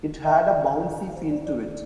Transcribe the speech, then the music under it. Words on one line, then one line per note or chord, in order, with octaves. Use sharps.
It had a bouncy feel to it.
E5
F5
E5
D5
C5
D5
D5